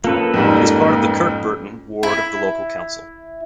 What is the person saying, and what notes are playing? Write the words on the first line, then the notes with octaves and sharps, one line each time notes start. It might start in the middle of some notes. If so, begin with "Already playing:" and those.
It is part of the Kirkburton ward of the local council.
A#3 C#4 F4 A4 B4
F2 G#2 G3
E4